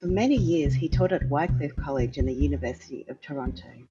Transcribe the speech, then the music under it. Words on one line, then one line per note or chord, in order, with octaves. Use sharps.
For many years he taught at Wycliffe College in the University of Toronto.
A2
B2
C3
B2
C3
B2
D3
B2
F2
E2
F2